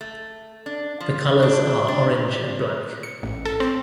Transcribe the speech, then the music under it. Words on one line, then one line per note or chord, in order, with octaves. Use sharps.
The colors are orange and black.
A3
D4
F3
D4
D4
C#7
A1
A4
C4